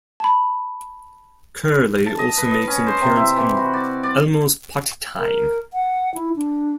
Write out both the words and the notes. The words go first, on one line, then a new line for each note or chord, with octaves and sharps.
Curly also makes an appearance in "Elmo's Potty Time".
A5 B5
A5
D#5
B4
D#5
C#4
C5
C3
E4
E3
F#4
D5
D5
A#4
F#5
E4
D4